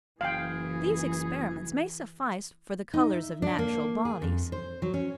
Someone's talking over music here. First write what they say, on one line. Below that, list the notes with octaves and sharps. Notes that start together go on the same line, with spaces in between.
These Experiments may suffice for the Colours of Natural Bodies.
F#1 E3 G#4 F5 G5
D#4
E5
D4
A#3
G#4
F2
C5
F#3
C#4